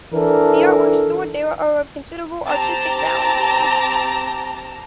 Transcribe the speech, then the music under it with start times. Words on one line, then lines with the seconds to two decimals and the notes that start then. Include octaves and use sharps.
The artworks stored there are of considerable artistic value.
0.13 E3 D4 A4 A#4
2.46 C4 G4 A5 A#5